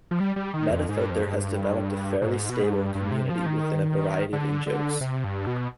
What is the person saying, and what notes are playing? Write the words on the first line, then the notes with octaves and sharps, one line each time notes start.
MetaFilter has developed a fairly stable community with a variety of in-jokes.
F3
G3
G3
D#3
F2
G#2
G2
F2
G2
B2
G#2
B2
G#2
G2
G2
C3
F3
D#3
D3
D3
C3
G2
B2